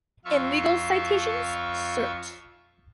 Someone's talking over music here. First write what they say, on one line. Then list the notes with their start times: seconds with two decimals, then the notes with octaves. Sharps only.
In legal citations, cert.
0.25 F2 F4 E5 F5 C#6